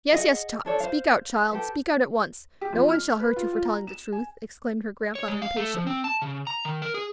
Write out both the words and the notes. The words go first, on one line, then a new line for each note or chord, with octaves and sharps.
"Yes, yes, speak out, child; speak out at once; no one shall hurt you for telling the truth," exclaimed her grandfather, impatiently.
G#4 D#5 F#5
D4 A4 C#5 D5
C5 F5
G4 A4 B4
G4
F2
F6
B4
F4
F4
A#5
E7
G#5
C#5
G#3
F5
A3
F3
C4
A5
C#3
A#5
D#3
A#4
G#4